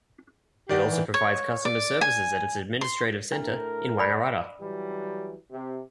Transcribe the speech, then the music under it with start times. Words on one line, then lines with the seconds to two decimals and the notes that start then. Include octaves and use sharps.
It also provides customer services at its administrative centre in Wangaratta.
0.69 D#3 G4 D5 F#5
0.90 E3
1.14 C#5
1.65 D5
2.01 G#5
2.81 C6
3.32 A2 D4 A#4
3.99 D5 B5
4.61 E3 F#3 G3
5.51 C3